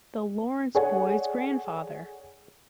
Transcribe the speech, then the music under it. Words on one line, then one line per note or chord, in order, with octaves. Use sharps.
The Laurence boy's grandfather!
G#4 A4 C#5 D5 F#5 G#5